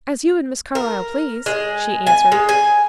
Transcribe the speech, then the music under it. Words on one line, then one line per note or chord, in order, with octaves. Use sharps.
"As you and Miss Carlyle please," she answered.
A#4
G#3
G#5
G#3
G#5